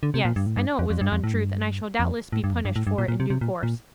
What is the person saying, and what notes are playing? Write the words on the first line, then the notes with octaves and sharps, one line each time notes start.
'Yes, I know it was an untruth, and I shall doubtless be punished for it in due course.
D3
C3
A#2
G2
A2
G2
F2
F2
G2
F2
A2
G2
F2
A2
G2
F2
G2
A2
G2
A#2
A#2
C3
C3
A#2
A#2